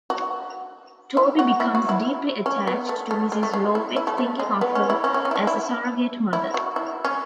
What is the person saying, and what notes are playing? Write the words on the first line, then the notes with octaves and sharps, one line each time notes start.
Toby becomes deeply attached to Mrs. Lovett, thinking of her as a surrogate mother.
F#4
E4
F#4
E4
F#4
E4
C#4
B3
A3
A3
G#3
A3
G#3
E4
E4
A3
A3
G#3
B3
C#4
E4
C#4
C#4
C#4
E4
D4
E4
E4
F#4
E4
C#4